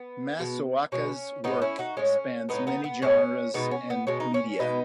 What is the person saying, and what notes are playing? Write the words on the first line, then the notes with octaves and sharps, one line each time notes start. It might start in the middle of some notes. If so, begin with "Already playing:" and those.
Masaoka's work spans many genres and media.
Already playing: B3
B2 G#3
B2 G#3 C#4
A2 G#3 B3 D#4
C#4 E4
D#4 F#4
A2 G#3 C#4
A2 G#3 B3 D#4
B3 D#4
B3
A2 G#3 C#4
B2 G#3 B3 D#4
C#4
B3
B2 G#3 C#4
D#4
C#4
B2 G#3 B3 D#4